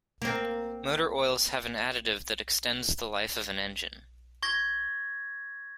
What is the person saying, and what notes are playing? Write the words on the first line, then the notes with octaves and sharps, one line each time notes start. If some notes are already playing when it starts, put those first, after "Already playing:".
Motor oils have an additive that extends the life of an Engine.
A#3 C4
C#6 G#6 A#6